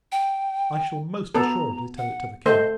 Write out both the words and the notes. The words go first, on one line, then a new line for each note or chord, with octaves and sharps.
I shall, most assuredly, tell it to the King!
G5
B3 A4 A#5
F#5
A3 C5 D#5